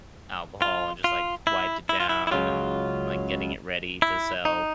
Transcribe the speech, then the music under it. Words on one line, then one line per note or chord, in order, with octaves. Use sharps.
alcohol, and just, like, wiped it down and, like, getting it ready to sell.
F4
F4
E4
E4
F4
E4
E4
C#2 C#3 F#3 F4
E4
D#4